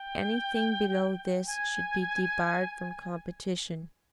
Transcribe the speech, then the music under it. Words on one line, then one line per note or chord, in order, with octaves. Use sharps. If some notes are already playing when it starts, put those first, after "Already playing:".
Anything below this should be debarred from competition.
Already playing: G5
G#5